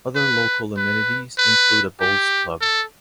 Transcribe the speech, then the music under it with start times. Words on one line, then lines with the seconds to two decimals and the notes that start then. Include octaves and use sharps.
Other local amenities include a bowls club.
0.15 B4
0.77 B4
1.38 B4
2.01 G4
2.61 A4